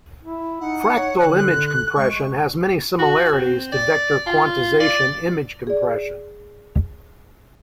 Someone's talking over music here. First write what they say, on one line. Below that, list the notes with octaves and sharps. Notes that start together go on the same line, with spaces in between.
Fractal image compression has many similarities to vector quantization image compression.
E4
D#4 F#5
C#5
D3 F#6
G#3 C#6
F#4
C4
D5
F4
D5
G#4 D5